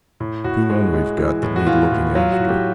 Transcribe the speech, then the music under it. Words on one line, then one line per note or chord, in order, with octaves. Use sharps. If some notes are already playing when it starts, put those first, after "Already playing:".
"Two men we've got that need looking after."
A2
A2 F#4
G#3
G#3
E3
A2
F#4
E3 F4
A2
F#3 F4
F#4
A2
G4